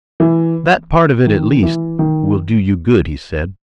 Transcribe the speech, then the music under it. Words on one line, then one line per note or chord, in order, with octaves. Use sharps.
"That part of it at least will do you good," he said.
E3
D#3
E3
D#3